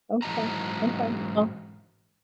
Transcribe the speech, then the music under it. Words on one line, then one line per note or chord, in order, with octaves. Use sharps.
Okay, okay, well
G#2 E3 F#3 D#5 A5 A#5